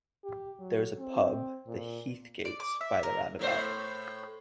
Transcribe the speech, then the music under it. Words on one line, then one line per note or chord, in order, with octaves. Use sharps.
There is a pub, "The Heathgates", by the roundabout.
G4
F#3
C4
A#2
D5
D6
E5
A#4
A2 A3 C5